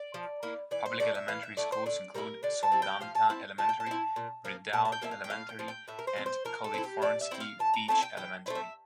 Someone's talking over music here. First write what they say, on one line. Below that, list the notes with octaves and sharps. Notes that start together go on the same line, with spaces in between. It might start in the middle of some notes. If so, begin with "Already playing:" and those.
Public elementary schools include Soldotna Elementary, Redoubt Elementary, and Kalifornsky Beach Elementary.
Already playing: D5
F3
A#3 E4
E3 D5
C5
A3 E4 D5
E5
E3 F5
E5
A3 E4 D5
C5
D3 D5
G3 C4 E4 A#4
D3 D5
A5
G3 C4 E4
G5
F3 F5
A5
C4 E4 A5
F3 A5
G5
A5
C4 E4
A#2
F3 A#3
A#2 A5
A5
G5
F3 A#3 E5
F5
G5
A2 F5
G5
F3 C4
G5
A2 E5
A#4
C5
F3 C4
C5
F3 A#4
A4
C4 E4
G4
F3 D5
E5
C4 E4 G5
F5
E3 A5
A#5
A3 C4 E4 A5
G5
E3 G5
A3 C4 E4
E5